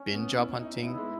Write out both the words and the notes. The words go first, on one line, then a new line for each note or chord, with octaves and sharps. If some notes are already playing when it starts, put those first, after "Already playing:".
been job hunting,
Already playing: C#4
B3
E4
D#4
B3 E4
G#3